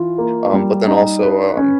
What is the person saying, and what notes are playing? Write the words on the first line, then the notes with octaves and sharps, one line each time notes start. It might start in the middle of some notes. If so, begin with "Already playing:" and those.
um, but then also, um,
Already playing: E3 F4
A#3
G3
D#4
B4
C#4